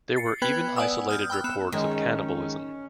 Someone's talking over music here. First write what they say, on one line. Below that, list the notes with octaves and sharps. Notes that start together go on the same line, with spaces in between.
There were even isolated reports of cannibalism.
A6 C7 C#7
B3 B4 G5 B5 G#6
D5 F#5 G#5 D#6 E6
D#6 F6 G6
G5 B5 E6 F#6
B3 B5 E7
D#3 G#3 C#4 G#4 D#5